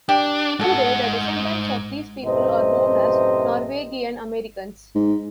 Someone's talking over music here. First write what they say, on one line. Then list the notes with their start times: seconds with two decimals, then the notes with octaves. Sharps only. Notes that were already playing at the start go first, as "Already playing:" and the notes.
Today, the descendants of these people are known as Norwegian Americans.
0.09 D4 G4
0.59 G#2 F#4 A4 F#5
2.24 F#2 A2 C3 B4 C5 D#5
4.95 G#2